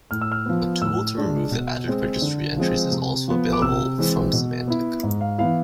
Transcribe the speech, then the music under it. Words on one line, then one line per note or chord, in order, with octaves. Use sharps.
A tool to remove the added registry entries is also available from Symantec.
A2 F6
E6
F6
F3 B3
A2 E6
G#3 D4
B2
G#3 C4
D3
F3 G#3 C4
C3
F3 B3
D6
C3 E6
E3 G#3 C4
B2
B3 E4
G#2
F5
E3 B3 E4 F5